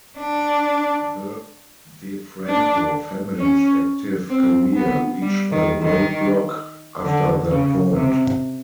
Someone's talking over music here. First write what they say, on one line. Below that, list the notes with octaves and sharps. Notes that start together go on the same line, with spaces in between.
The DeFranco Family's active career reached a roadblock after that point.
D4
D4
C#4
C4
B3
G3
D#3
D#3
D3
C#3
C3